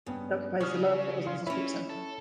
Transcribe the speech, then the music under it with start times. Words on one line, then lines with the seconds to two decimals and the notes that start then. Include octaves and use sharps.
It occupies the lower floors of the Citigroup Center.
0.06 G2 C#3 B3 G5
0.60 C#3 G3 C#6 D#6 F6
1.27 F4
1.47 C#4 E4 B4 C#5 E5
1.90 A4